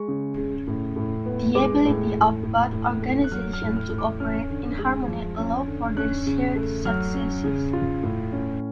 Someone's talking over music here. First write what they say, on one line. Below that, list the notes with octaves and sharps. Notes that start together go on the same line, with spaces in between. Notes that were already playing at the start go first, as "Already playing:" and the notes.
The ability of both organizations to operate in harmony allowed for their shared successes.
Already playing: G#3 C#6
C#3
C#3
A2
A2
B3
G#3 D6
A2
A2
A2
A2
A3
F#6
F#3 F6
F6
A2
F6
A2
D6
C#4 F6
D3
G#3
F3
C#4
D3
C#4 F#6
C#3
A3
F#3 F6
C#4
C#3
F4
A2
C#4